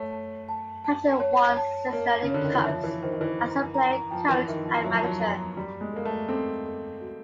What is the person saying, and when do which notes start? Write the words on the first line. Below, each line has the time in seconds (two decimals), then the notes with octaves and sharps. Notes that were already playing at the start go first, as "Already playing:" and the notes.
Patrick won six Stanley Cups as a player, coach and manager.
Already playing: A3 C#5
0.11 A5
0.49 A5
0.85 A5
1.20 C#5
1.57 A5
1.93 A#3 C#5
2.23 C#3
2.30 D3 C#5
2.45 D#3
2.55 E3
2.65 F3 E5
2.84 E3
3.02 D#3 C5
3.13 D#3
3.21 E3
3.39 A#5
3.74 A#5
4.11 F3 G5
4.29 E3
4.48 D#3 E5
4.66 F3
4.84 F#3 E5
4.93 F3
5.04 F#3
5.20 A#5
5.56 G3 F#4
5.81 G#3
5.93 A#3 A4
6.05 A3
6.29 C4 A4
6.66 A4
7.01 F#4